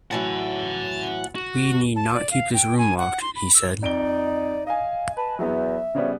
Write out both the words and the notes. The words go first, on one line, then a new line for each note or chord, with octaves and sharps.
"We need not keep this room locked," he said.
A2 E3 F#3 F#5 A5
F#4
A5
D5
F5
G5
G#5
F#5
C6
B5
E6
F2 D#4 D5 D7 G7
D#5 F5 G#5
B4 A5
E2 F#3 B3 E5
C#3 F3 G3 B3 C#5